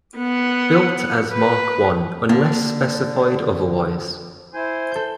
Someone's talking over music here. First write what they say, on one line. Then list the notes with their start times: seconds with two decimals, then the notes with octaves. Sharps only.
Built as Mark One unless specified otherwise.
0.18 B3 F#5
1.33 B4
2.29 D3 A#3
4.54 E4 C5 G#5
4.92 A4 G6